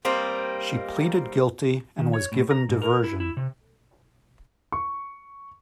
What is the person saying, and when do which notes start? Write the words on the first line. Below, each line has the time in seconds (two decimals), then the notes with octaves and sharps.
She pleaded guilty and was given diversion.
0.05 G3 A#3 C4 D#4
1.99 D#3
2.14 C#5
2.32 A2
2.51 A#5
2.69 G#2
2.82 A#4
3.04 E4
3.20 E4
3.37 C3
4.72 C#6